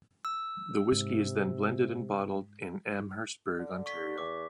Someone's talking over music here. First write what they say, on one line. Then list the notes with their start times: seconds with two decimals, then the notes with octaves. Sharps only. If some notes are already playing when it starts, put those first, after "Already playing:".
The whisky is then blended and bottled in Amherstburg, Ontario.
0.25 E6
0.92 G#2 C3
3.59 D3
3.86 C#6 B6
4.18 E2 D6